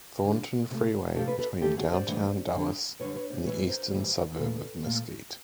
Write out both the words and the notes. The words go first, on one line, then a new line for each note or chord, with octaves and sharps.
Thornton Freeway between downtown Dallas and the eastern suburb of Mesquite.
F2 D3 G3
C3 F3 A3
C3 F3 A3 G4 A4
A4 B4
A4 B4
G2 E3 A3 G4 A4
F#4 G#4
C5 D5
G2 E3 A3
F#2 D3 G3
F#2 D3 G3 B4 C#5
B4 C#5
C5 D5
A2 E3 G3 B4 C#5
A#4 C5
A2 E3 G3
A#2 F3 A3 A4 B4
A#2 F3 A3